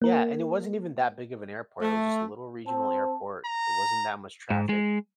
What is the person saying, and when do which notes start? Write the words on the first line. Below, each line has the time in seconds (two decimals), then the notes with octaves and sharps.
Yeah, and it wasn't even that big of an airport, it was just a little regional airport, it wasn't that much traffic.
0.02 A#3 A#4
1.82 A3
2.66 C4 A5
3.46 A#5
4.50 G#2
4.69 G#3